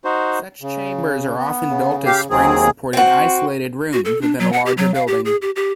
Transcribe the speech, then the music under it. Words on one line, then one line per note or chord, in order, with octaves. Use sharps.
Such chambers are often built as spring supported isolated rooms within a larger building.
D#4 F#4 C5
C#3
B3
C#3
G4 F5
D#2 D#3 F#3 C4 G#4
C4 F#4
F#4
A4
D4
F#3
F#5
G4
F#3
F5
G4
G#4
G4
G4